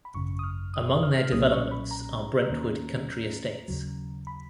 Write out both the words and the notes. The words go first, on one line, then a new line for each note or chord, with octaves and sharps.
Among their developments are Brentwood Country Estates.
B5
G#1 F#2 C#3 C#6
D#6
F6
D#6
F6
B1 A#2 F#3 A#3 C#4 D#6
C#6
B5
A#5
D#2 D#3 A#3 C#4
D#2 C#3 F#3
B5